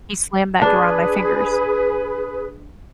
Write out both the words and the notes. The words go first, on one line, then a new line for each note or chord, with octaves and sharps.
he slammed that door on my fingers,
D4 G#4 B4